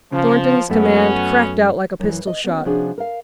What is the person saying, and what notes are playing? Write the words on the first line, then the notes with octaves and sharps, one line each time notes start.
Thornton's command cracked out like a pistol-shot.
C#3 F3
F#2 A3 B3 C#4 F#4
F#2 E3
D#5
B3 C#4 F#4
C3 F3 C#4 D4 F#4 G#4
A#4 F5